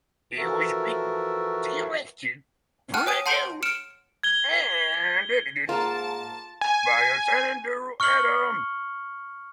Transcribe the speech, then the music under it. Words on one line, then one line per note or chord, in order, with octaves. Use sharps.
It was written, directed, produced and edited by Ozan Duru Adam.
E3 F3 F#4 A4 A#4 E5
F#5 G5 A5 F6 F#6
C#5 G#5 D#6 D#7
F#5 A5 C6 G6 D7
F6 C#7 D7 E7
G#6 G7
G#2 A#3 F4 A5
G#5
C#6 F6 C#7 F#7 G7